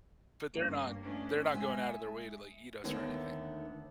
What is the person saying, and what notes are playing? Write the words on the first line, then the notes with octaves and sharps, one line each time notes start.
but they're not they're not going out of their way to, like, eat us or anything.
G2 A#3 C#4
A3 B3 C#4 D4
G#3 E5 G#5
D#2 D3 D#3 A3 B3